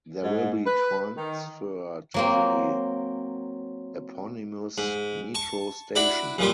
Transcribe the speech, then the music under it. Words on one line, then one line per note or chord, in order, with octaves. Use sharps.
There will be transfer to the eponymous metro station.
G#2
B4
D#3
F#3 A#3 C4
G#2
A5 C#6
D4 E4 F#4 B5
F#2 A#2 G3 F4